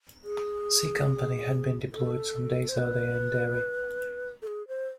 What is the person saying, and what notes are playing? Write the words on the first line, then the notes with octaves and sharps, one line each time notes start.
C company had been deployed some days earlier in Derry.
G#4
A4
C5
B4
A4
G#4
C5